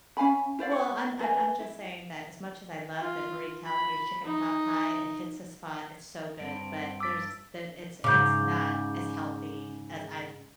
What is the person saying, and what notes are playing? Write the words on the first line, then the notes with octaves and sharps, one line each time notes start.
Well, I'm I'm I'm just saying that as much as I love that Marie Callender's chicken pot pie, it hits a spot, it's so good, but there's there it's it's not as healthy as I
C#4 F5 G#5 B5
E4 C5 D5 F5
C#5
B4 G#5
E4
F4
B5
D#4
G2 C4 D7
D6 E6 A6 B6
G#2 C#3 D6 G6